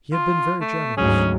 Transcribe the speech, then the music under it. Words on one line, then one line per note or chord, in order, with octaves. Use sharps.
He had been very generous.
F4
A3
D2 G#2 F#3 C#4 G#4